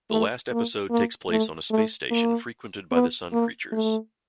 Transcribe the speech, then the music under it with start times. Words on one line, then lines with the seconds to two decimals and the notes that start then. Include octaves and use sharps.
The last episode takes place on a space station frequented by the Sun creatures.
0.10 A3
0.51 A#3
0.90 A#3
1.30 A3
1.70 A3
2.11 A#3
2.91 B3
3.32 A#3
3.72 A3